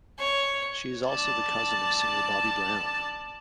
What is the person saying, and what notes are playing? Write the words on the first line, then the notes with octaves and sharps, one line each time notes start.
She is also the cousin of singer Bobby Brown.
C#5
D5 A5